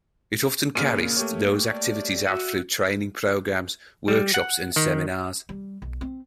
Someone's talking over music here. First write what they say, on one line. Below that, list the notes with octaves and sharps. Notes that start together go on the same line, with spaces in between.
It often carries those activities out through training programs, workshops and seminars.
A#2 C#3 A#3 F6 D#7
A3 G4 C#5
D5
F#4 E5 F#6 C#7 D#7
G3
F#5
D#3
G3
B1
C4